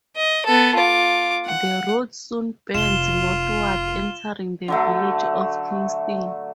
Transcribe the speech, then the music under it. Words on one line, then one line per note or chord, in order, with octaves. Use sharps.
The route soon bends northward entering the village of Kingston.
D#5
B3 A4
F4 D6
F#5
F1 F4 E7 G7
D3 F#3 A3